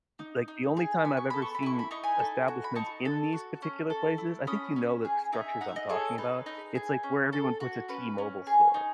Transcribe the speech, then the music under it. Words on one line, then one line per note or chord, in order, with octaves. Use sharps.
like, the only time I've ever seen establishments in these particular places, I think you know the structures I'm talking about- it's like where everyone puts a T-Mobile store,
D#4
D#4
G#4
B3 B5
C#6
A4 B5
C#6
B5
E4 C#6
B5
D#4 C#6
G#5 B5
A4
F#4
B5
D#4 A5 C#6
A4
F#4
C#4
A4
E4
C#4 B5 D#6
C#4
G#4
D#4 E5 G#5
D#4 F#5
E5
D#5 F#5
G#4 A4 C#5
D#4 B4
D#4
G#4
C#4
A4
F#4
C#4 B4
C#4
G#4
D#4